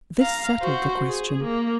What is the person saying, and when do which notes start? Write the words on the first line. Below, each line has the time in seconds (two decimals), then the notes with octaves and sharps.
This settled the question.
0.20 F5 A#5
0.62 F#4 C5
1.06 G#4
1.44 A#3